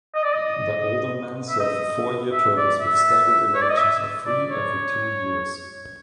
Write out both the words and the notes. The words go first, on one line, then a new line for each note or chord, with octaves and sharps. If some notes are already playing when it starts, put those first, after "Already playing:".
The aldermen serve four-year terms with staggered elections of three every two years.
D#5
D5
D#5
E5
D#5
E5
D5
E5
C#5
D5
D#5
E5
D5
C#5